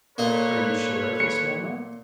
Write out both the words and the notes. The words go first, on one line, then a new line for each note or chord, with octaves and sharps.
"Are you sure of this, Mona?"
A#2 A#3 A4 B4 C#5 D#5
C#7